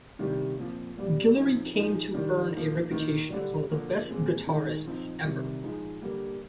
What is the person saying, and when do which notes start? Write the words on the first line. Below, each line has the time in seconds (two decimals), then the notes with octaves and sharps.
Guillory came to earn a reputation as one of the best guitarists ever.
0.19 C3 D#3 G3 D4
0.58 A#2 F3 C4
0.97 A#2 G3 D4
1.36 F3 C4 D#4
1.75 F3 G#3 D#4
2.14 D#3 G3 D4
2.53 F3 A#3 D#4
2.91 D#3 A#3 D#4
3.30 D3 G3 D4
3.69 D3 F3 A#3
4.08 A#2 G#3 C4
4.47 D#3 G#3 D#4
4.85 F3 C4 D#4
5.24 C3 D#3 G3
5.63 F3 G#3 D#4
6.02 D3 G3 A#3